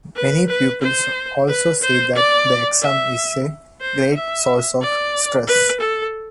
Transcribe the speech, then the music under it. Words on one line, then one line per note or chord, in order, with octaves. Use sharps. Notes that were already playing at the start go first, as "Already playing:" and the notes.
Many pupils also say that the exam is a great source of stress.
B4
B4
C5
B4
C5
D5
E5
C5
E5
D5
B4
A4